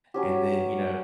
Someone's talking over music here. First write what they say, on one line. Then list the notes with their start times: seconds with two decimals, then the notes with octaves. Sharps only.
and then, you know, uh,
0.14 F#3 C#4 G4